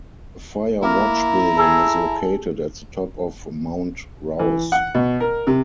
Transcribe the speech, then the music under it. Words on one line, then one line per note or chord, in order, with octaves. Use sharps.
A fire watch building is located at the top of Mount Rouse.
A#3 E4 A#5
G#4 A4
E3
F#5
B2
A#4
C3